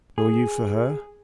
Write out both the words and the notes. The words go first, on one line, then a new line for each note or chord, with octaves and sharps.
"Nor you for her?"
G#4